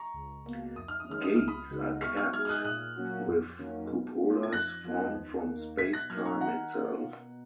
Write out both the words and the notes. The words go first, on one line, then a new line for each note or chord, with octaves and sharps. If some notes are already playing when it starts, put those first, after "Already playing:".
Gates are capped with cupolas formed from Space-time itself.
Already playing: A#5 C#6
C#2
B2 A#3
F2 D#6
F6
D#6
D#3 G#3 C#4 F6
D#6
C#2 F6
B5 D#6
C#3 G#3 D#4 F#4
B2 C#6 F6
C#6 F6
G#3 D#4 G#4 F6 G#6
F6
D#6 F#6
A#2 D#6 F#6
F#3 A#3 C#4 F#4
F2
D#3 F#3 A#3 C#4
B2
A#3 C#4 F4
G#6
F2 F#6 A#6
F3 B3 D#4
D#2
D#3 A#3
B2 G#6 B6
F#6 A#6
F#3 A#3 D#4 F6 G#6
A#5 C#6
D#3 F#5 A#5
A#3 C#4 F4
B2